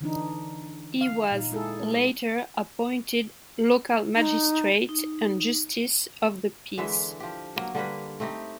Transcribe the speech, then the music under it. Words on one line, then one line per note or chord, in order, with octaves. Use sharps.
He was later appointed local magistrate and Justice of the Peace.
D3 E3 D4 D#4
F5
A#2 D#4
G#3 E4 G#4 A4
D#4
D#4
D3 E3 G#3 E5
F3 G4
F#3 A#3
D3 G3 A#3 B4
A3 C4 D#4 G4